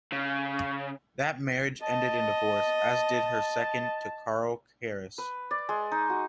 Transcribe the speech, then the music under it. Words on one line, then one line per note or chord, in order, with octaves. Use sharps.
That marriage ended in divorce, as did her second, to Carl Karas.
C#3
D#5 A5
B4
D5
G#3
D#4
F#4